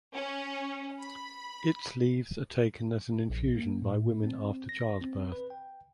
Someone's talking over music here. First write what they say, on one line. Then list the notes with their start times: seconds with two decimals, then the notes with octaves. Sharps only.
Its leaves are taken as an infusion by women after childbirth.
0.13 C#4
1.00 B5
3.30 A#1
3.55 A#3
3.82 A2
4.23 C4
4.69 A#6
5.01 C4
5.32 B4
5.50 G5